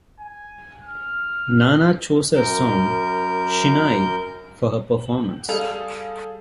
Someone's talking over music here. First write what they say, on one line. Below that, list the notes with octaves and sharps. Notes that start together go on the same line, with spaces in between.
Nana chose her song "Shin'ai" for her performance.
G#5
F6
F#2 A#4 G6
G3 G#4 A4 F5 F7